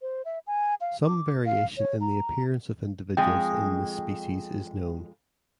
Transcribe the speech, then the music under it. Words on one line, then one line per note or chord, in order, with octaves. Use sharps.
Some variation in the appearance of individuals in this species is known.
C5
E5
G#5
F5
D6
F5
C#5
A#5
F2 G#3 G#4 G5